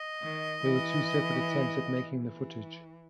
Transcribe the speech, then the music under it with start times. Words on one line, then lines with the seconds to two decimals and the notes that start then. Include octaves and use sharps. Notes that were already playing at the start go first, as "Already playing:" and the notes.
There were two separate attempts at making the footage.
Already playing: D#5
0.23 D#3
0.62 E3
2.22 E3